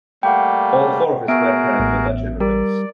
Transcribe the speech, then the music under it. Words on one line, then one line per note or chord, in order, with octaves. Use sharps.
All four of his grandparents were Dutch immigrants.
G3 A3 A#3 F#5 G5
B3 F#4 G#4 A#4 E5 D7
A1 A2
G3 A#4 D5